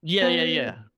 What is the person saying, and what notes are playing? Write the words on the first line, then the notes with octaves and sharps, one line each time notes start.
Yeah, yeah, yeah.
B3 C5 G#5